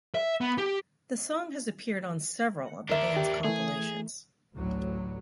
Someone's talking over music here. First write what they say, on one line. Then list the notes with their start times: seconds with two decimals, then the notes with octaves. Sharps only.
The song has appeared on several of the band's compilations.
0.15 E5
0.41 B3
0.58 G4
2.89 D#2 D4 A#4 E5
3.17 G4
3.45 E3 A3 G#4
4.54 A1 D2 A2 F#3